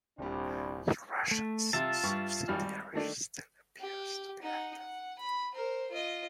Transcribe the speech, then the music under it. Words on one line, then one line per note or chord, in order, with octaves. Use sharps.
The Russian subsidiary still appears to be active.
D#1 C2 G3 C4 D4
A3
C3 F4 E5 A5
G2 C#6
G#1 G3 F6
D#3 A3 D4
G4
D#4 F#5
F#5
B5
A#4 C5
F4 D#5